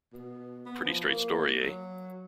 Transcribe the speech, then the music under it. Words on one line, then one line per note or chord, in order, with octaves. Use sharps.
Pretty straight story, eh?
B2
B3
F3
A#3
F#3